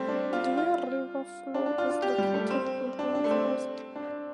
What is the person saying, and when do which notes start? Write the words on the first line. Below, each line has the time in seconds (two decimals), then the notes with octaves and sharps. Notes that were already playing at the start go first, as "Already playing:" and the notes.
Deer River Flow is located in the northwest.
Already playing: G3 A3 C4
0.08 D4
0.33 F4
0.57 F4
1.54 D4
1.66 D4
1.78 F4
1.90 F4
2.02 G4
2.18 G3
2.34 A3
2.50 C4
2.99 D4
3.15 D4
3.24 A3
3.31 C4
3.96 D4